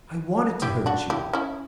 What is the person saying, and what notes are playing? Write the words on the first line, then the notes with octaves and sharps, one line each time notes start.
I wanted to hurt you.
E4 G4
D4 F#4
E4 G4
C#4 E4